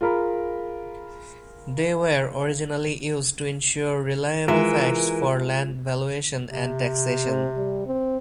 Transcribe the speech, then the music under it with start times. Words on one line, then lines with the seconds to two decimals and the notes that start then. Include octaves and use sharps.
They were originally used to ensure reliable facts for land valuation and taxation.
0.01 F4 G#4 A#4 B5
4.48 E3 G#3 F4 A#4 E5
6.48 C3
7.25 C4
7.56 G3
7.87 C4